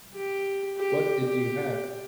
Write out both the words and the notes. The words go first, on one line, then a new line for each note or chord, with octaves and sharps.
What did you have?
G4
G4
G4